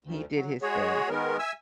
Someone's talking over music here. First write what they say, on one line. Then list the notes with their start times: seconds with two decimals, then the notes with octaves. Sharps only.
he did his thing,
0.04 D2
0.35 F#3
0.62 G#3 F#4 G#4 C#5
1.09 D#3 G#3 B3 A#4
1.39 E5 G#5 E6